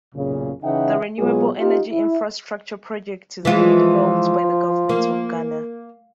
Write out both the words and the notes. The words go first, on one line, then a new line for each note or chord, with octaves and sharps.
The renewable energy infrastructure project is being developed by the government of Ghana.
B1 F#2 A#2 C#3
C#3 E3 D#4 E5 F#5 G5
B2 F#3 G#3 B3 F4 G#4
C4 D#4 F4 G4
E4
E3 F3 G#3 F4
A#3